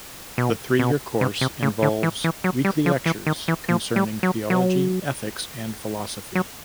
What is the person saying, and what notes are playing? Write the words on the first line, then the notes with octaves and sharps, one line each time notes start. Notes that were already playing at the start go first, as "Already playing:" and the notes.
The three-year course involves weekly lectures concerning theology, ethics and philosophy.
B2
B2
C3
C3
C#3
D3
E3
E3
F#3
G3
F3
E3
D#3
E3
F3
G3
F#3
F#3
F#3